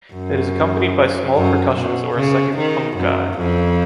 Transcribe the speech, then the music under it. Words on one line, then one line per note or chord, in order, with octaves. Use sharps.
It is accompanied by small percussions or a second pungi.
F#2
F#2
B2
C#3
D#3
F#2
F2